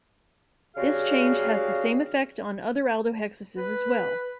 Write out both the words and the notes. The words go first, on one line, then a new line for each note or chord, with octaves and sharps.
This change has the same effect on the other aldohexoses as well.
C#3 G3 F#4 G#4 F5
B4